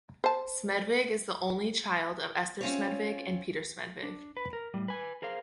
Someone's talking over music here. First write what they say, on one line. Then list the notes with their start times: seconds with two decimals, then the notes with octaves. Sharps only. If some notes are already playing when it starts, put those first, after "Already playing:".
Smedvig is the only child of Esther Smedvig and Peter Smedvig.
0.24 C5 A5
2.61 C4 C#4 F4 C#5
4.03 D4
4.37 B4
4.53 A#4
4.74 A2 G3
4.88 B4 G#5
5.22 G#4 A#4 C5 F5